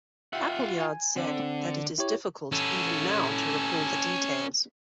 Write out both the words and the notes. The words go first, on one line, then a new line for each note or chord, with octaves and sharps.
Appleyard said that It is difficult even now to recall the details.
F4 E5 F#5 G5
G#5
D3 C4
E4 G4 C#5
C#4 A4